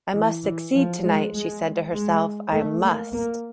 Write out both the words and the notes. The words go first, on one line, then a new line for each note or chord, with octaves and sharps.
"I must succeed tonight," she said to herself — "I must!"
E3
E3
F3
G#3
G#3
G#3
A3
A#3
A#3